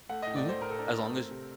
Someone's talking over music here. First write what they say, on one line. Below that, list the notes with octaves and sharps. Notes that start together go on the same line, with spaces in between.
Mhm, as long as y
A3 F#5
D#5
A2
D5
A3 C5
A2 A#4
A4
D4 A#4
A3
C4
C3